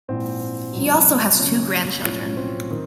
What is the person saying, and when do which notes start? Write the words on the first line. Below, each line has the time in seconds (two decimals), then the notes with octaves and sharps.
He also has two grandchildren.
0.08 A#1 G#2 E3 C4
0.73 C#2 B2 F#3
1.39 F#1 F#2 C#3 F#3 C#4
2.04 B1 A2 F3 C#4
2.21 C#4
2.37 C4
2.71 D#3